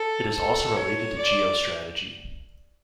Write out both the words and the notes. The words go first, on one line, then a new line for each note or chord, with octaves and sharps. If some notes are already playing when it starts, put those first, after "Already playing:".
It is also related to geostrategy.
Already playing: A4
A4
C#5
D5